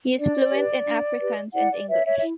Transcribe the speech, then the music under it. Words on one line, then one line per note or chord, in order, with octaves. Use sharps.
He is fluent in Afrikaans and English.
D4 D5
G4 B4
D4
G4 B4
E4 D5 F#5
D5
B4 C#5 E5
C#5 E5
E5
E4